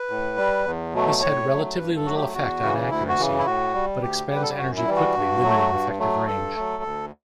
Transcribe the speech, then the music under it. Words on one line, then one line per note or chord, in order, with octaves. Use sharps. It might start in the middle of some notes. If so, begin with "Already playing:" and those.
This had relatively little effect on accuracy, but expends energy quickly, limiting effective range.
Already playing: B4
A2
G3
E2
B2 F#3 A3
A2 C#5
F#3 A3
G2 B4
A4
F#3 A3 F#4
G4
E2 F#4
C#3 E3
D2 E4
F#4
C#3 E3
E4
A2 F#4
G3
D2 G4
D3 G3 B4
A4
G4
F#2 F#4
E4
E3 G3
F#4
G2
F#3 A3
G2
F#3 A3
G2 A4
F#3 A3
D2